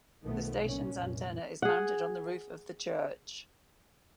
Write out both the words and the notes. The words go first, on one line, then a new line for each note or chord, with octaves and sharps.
The station's antenna is mounted on the roof of the church.
B1 D#3 F3 A3 B3
C2 A#2 C#4
F1 C2 A#2
G#4 F#5